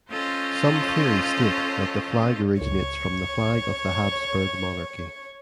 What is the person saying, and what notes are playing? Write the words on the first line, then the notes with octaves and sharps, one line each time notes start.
Some theories state that the flag originates from the flag of the Habsburg Monarchy.
C#4 F4 A4 C5 C#5 D#5
C#2 C#5